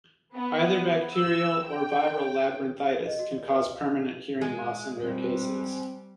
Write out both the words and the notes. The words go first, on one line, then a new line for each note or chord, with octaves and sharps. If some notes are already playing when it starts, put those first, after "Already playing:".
Either bacterial or viral labyrinthitis can cause permanent hearing loss in rare cases.
B3
E6
G5
D#5
F#4
D5
B4
F5
G#3
G3 C4